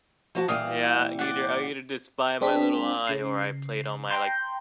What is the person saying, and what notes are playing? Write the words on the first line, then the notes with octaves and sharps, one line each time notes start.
Yeah, either I needed to spy my little eye, or I played on my, like,
F3 F#4 A5
A#2 E3 G3 F5 D#6
D5 F#5
G#3 C4 D4 B6
C#3 C7
G5 A#5 C6 G6